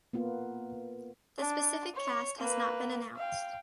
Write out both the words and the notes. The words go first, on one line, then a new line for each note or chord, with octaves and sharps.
The specific cast has not been announced.
A#3 B3 F4
D4
C#5
A#3 B4
F5 G5